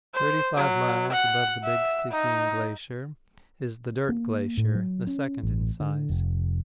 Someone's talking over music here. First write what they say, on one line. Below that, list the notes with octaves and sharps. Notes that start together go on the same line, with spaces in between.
Thirty-five miles above the Big Stickeen Glacier is the "Dirt Glacier," the second in size.
C5
F#3
F#5
E5
D#4
A#3
A2
F#3
C#4
A1
D3
F1